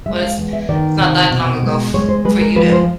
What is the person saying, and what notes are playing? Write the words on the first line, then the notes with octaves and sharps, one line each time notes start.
Well, it's it's not that long ago f for you then.
G#3 E5
F5
E2
E5
D#3 D5
C3
B2
G#3
G#3 C#5
C5
G#3 B4
A#4
F3 B4
C5